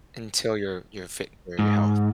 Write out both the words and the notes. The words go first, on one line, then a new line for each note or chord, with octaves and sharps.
Until you're you're fit for your health.
G#2